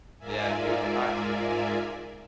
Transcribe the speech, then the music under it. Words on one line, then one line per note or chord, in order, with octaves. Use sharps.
Yeah, dude, I
G#2 F4 A#4 D5 E5 G#5